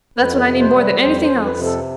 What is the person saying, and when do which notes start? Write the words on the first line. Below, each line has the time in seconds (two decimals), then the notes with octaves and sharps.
That's what I need more than anything else.
0.18 F2 B4
0.39 B4
0.46 C3
0.60 C5
0.74 G3
0.81 B4
1.02 F2 C5
1.23 C5
1.30 F2
1.45 B4
1.59 C3
1.65 A4